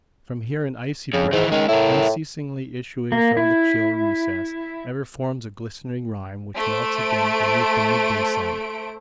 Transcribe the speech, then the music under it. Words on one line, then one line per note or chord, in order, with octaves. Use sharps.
From here an icy breath, unceasingly issuing from the chill recess, ever forms a glistening rime which melts again beneath the midday sun.
F2 C#3
G#2 D#3 E3
D#3 G#3 C#4
A2 E4 A#4
A#3
E4
A3 C5 D7